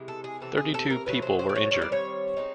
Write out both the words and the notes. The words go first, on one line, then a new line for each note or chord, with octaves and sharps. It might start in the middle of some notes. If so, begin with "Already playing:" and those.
Thirty-two people were injured.
Already playing: C3 E3 G#3
A4
G#4
C3 E3 C4 A4
G#4
A4
A#4
C3 D#3 F#3 A3 B4
C5
C5
D5
C#5
D#3 G3 C4 C#5
D5
C#5
G#3 C4 D#4